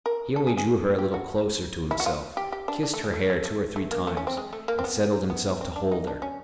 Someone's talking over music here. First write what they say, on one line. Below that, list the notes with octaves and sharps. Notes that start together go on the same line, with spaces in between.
He only drew her a little closer to himself, kissed her hair two or three times, and settled himself to hold her.
A#4
A4
G#4
G#4
G4
F#4
E4
F#4
F4
G4
G4
D4
D4
A3
G#3
A3
A3
A3
A3
A#3
A3
C#4
C4
G#3
A3
A#3
C4
B3
B3
C4
D4
D#4
D4
C#4